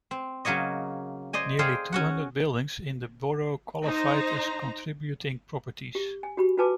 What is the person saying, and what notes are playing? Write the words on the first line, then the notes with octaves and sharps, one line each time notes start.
Nearly two hundred buildings in the borough qualified as contributing properties.
C4
C#3 F#3 A#3 C#5 D#5
C5 D5 D#5 G#5
G#4 A4 C5 D5 F5 G5
C#4 F#4 F#5
D#4 C5 A#5
G4
G#5
F#4 G4 B5
F4 F#4 B4 G#5 A5 D6